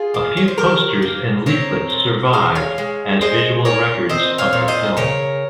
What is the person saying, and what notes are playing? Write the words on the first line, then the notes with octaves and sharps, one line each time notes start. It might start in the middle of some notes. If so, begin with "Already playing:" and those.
A few posters and leaflets survive as visual records of the film.
Already playing: F4 G#4
A#3
C#5
C5
D#3 G4 A#4
A#3
C4 A#4 C#5
A#2
G#3 F5
C#5 F5
G#3
G#3 C5 D#5
A#2 A#4 C#5
C4 C5 D#5
C#5 F5
A#2
C5 D#5
C#3 A#4 C#5